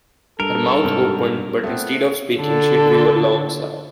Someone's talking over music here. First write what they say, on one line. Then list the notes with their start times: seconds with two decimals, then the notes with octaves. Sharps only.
Her mouth opened, but instead of speaking she drew a long sigh.
0.40 G2 A4 A#4 D7
0.84 G#2 C3
1.63 A3 B3 C4
2.39 D3 A4